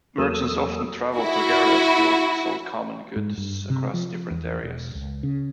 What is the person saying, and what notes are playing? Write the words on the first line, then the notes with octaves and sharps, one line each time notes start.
Merchants often travelled together as guilds and sold common goods across different areas.
E2 F#3 A#3 A4 D#6 E6
E4 F#4
G#2
G2
C3
F3
E2
E1
C#2
C#3